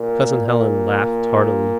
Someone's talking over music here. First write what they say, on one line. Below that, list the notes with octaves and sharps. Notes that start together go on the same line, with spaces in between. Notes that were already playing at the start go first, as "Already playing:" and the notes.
Cousin Helen laughed heartily.
Already playing: A#2
A#2